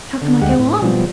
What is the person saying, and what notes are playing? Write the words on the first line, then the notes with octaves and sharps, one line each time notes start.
How can I go on?
D3
D2 G#3 G4 F#5
A2
B2 F3 G3